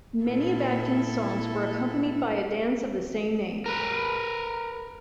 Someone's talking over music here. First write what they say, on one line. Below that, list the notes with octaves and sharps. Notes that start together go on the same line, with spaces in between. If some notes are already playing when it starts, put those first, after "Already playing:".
Many of Adkins' songs were accompanied by a dance of the same name.
A#2 E4 A4
A#4 B4